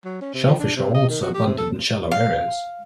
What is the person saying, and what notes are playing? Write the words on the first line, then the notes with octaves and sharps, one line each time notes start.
Shell fish are also abundant in shallow areas.
F#3
C#4
C3
F3
D4
C3
D#5
D#3
F#4
G4
C3
A4
F5